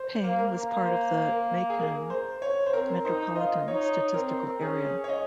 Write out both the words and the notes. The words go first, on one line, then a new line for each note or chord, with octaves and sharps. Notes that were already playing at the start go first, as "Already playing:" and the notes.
Payne was part of the Macon Metropolitan Statistical Area.
Already playing: C5
A#3
A#4
A#3
C5
A#4
G#4
A#4
C5
C#5
C5
C4 A#4
D#4 C5
F4 D#5
D#4 C#5
C4 A#4
C#4 G#4
C#5
D#5